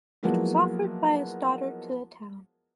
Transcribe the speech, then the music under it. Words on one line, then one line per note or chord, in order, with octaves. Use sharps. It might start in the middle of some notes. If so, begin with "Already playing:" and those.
It was offered by his daughter to the town.
F3 F#3 G#3 A#3 B3 E4